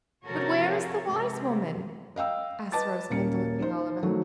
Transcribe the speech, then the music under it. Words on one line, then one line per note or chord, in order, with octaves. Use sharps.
"But where is the wise woman?" asked Rosamond, looking all about.
C3 F3 F#4 A4 A#4 C#5
C3 G#3
D#5 F5 G5 E6
B4 D#5 A5 D6 A6
D#1 A#3 C#4 C#7
D#4 C5
D#3 F#3 A3